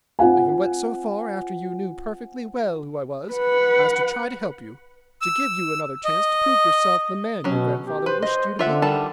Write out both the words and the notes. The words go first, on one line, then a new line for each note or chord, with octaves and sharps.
I even went so far, after you knew perfectly well who I was, as to try to help you—to give you another chance to prove yourself the man your grandfather wished you to be.
C4 F4 F#5 G#5
B4 F#5
E6
D#5
B2 F#3 C#4
G4
B4 C5
C5 D#5
D3 F4 E5 F#5
D#3 G3 A5